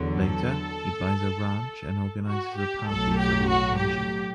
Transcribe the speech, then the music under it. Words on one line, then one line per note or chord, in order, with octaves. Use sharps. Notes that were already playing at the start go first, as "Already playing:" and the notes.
Later, he buys a ranch and organizes a party for the occasion.
Already playing: E2 D3 F#3
A4
F#4
G4
B1 A2 F#3 A4
G4
F#4
G4